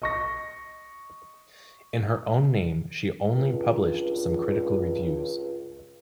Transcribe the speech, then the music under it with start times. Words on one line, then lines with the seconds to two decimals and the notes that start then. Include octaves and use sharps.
In her own name, she only published some critical reviews.
0.02 D#5 C#6 A#6
3.35 C#2 G2